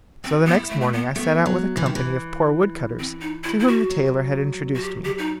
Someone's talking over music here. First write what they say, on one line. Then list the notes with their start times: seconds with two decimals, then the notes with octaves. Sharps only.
So the next morning I set out with a company of poor wood-cutters, to whom the tailor had introduced me.
0.24 C4 F#4
0.46 B3
0.54 E4
0.70 A3
0.81 A3
0.93 B3
1.16 A3 B3
1.46 F#3
1.77 E3
1.86 D#3
1.95 E3
2.99 C4
3.21 D#4
3.44 E4
3.60 E4
3.68 F#4
3.91 F#3
4.75 F#4
4.82 G4
5.05 G4
5.18 D#4